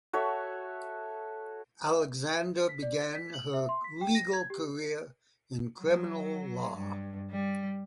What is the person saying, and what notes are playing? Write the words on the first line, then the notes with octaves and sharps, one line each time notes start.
Alexander began her legal career in criminal law.
F#4 A4 C#5 E5
B6
D5
B6
F#7
E5
C6
B6
G5
A#6
G#6
G4
F#3
G2
G3